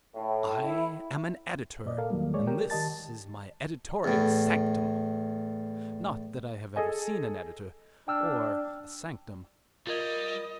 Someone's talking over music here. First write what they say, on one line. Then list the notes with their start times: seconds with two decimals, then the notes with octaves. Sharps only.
"I am an editor, and this is my editorial sanctum." Not that I have ever seen an editor or a sanctum.
0.15 A2
0.64 E4
1.86 A#2 D5 D#5
1.98 A4 A#4 F5
2.10 E2 D#3 F#3 G3 A#3
2.34 G#3 C#5 D5
2.47 G4 A#4 G5
2.70 D#3 G4 D#5 A5 A6
4.04 E2 A2
6.76 G#4 A4 D#5 G#5
8.08 D4 G5 E6 F6
9.87 G3 F4 A#4 D#5 G#6